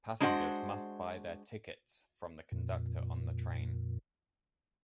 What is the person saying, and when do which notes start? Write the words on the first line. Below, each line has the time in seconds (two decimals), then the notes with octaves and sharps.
Passengers must buy their tickets from the conductor on the train.
0.20 G#3 D4 F#4 C5 D#5 F#5
2.52 F2 A#2